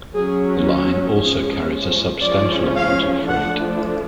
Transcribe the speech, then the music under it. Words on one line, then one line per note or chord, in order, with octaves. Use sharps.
The line also carries a substantial amount of freight.
F#3 C#4 G#4
F3 G#3 C#4 G#4
F3 G#3 C#4 D5
F5
F3 A3 D4 F#5